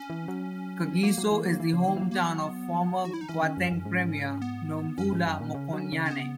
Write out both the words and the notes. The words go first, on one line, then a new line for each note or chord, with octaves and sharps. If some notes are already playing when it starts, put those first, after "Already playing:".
Kagiso is the hometown of former Gauteng premier Nomvula Mokonyane.
Already playing: C#4
E3
F#3
F#3 A#3
F#3
E3
F#3
E3
C#3
D#3
E3
F#3
A#3
B3
F#4
E4
D#4
E3 C#4
D#3
F#2
F#2
G#2
B3
F#2 C#4
G#2
F#2
A#2
C#3
F#3
C#3
C#4
B3